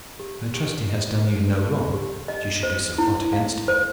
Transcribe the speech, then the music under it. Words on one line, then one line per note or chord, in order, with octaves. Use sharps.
"I trust he has done you no wrong, that you should be so hot against him."
G4
G4
D#5
C5
G4
G4
D#5
C5
E4
F5
C5